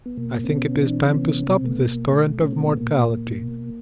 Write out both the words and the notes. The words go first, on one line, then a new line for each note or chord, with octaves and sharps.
I think it is time to stop this torrent of mortality.
B3
B2 A#3
C4
B2 B3 C#4
E3 C4 D4
C3 B3 C#4
B2 B3
C4
A3 B3
B2 A#3
B2 A3
B2 C#4
C4
B3
A#2 A#3
A#2
B2